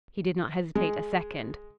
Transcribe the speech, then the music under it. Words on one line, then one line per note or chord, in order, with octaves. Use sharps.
He did not hesitate a second.
G#3